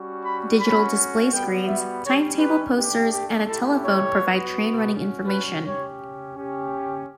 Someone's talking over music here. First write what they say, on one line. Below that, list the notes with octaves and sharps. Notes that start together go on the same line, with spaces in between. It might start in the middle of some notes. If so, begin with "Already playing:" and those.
Digital display screens, timetable posters and a telephone provide train running information.
Already playing: G3 C#4 F#4
B5
C#4 F#4 B5
G3 B3 F#4 G5
E5
G3 C#4 G4 C#5
B4
A3 D4 G4
G4
A3 E4 G4 A4
C#5
B3 F#4
C#4 F#4
B4
C#4 G4 C#5
C#4 G4